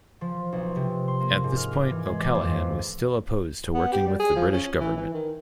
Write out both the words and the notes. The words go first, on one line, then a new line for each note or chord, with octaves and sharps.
At this point O'Callaghan was still opposed to working with the British Government.
F3
B1
C3
C6
A#3
G#2
F6
D6
E3
G#3
D6
F2
B3
G4
G3
G#4
F3
C#4
E3
E3
D#3